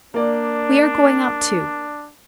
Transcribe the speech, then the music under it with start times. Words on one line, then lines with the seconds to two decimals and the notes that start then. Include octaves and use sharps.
We are going out, too.
0.14 A#3 D4 D5